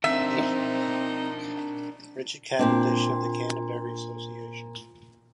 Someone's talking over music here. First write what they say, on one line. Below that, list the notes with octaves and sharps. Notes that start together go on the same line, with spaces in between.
Richard Cavendish of the Canterbury Association.
C4 D4 D#4 A#4 E5
A#2 C4 D4